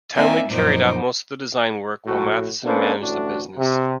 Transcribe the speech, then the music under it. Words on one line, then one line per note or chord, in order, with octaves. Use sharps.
Townley carried out most of the design work while Matheson managed the business.
A#3 C4 D#4 D5 E5 G#5
F#2 A#2 F3 D#4 C5 D6
A#1 A2 F#4
A#3 C#4 D4 A4 B4 C5
A1 D2 A2 D4 F#4
C3